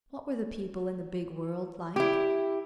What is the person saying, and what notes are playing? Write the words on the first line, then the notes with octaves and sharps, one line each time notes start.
What were the people in the big world like?
E4 G4